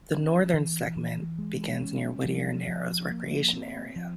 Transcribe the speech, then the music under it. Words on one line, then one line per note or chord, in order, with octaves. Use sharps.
The northern segment begins near Whittier Narrows Recreation Area.
C#4
E3
E3
G#3
C#4
F3
F3
A#3
C4
F3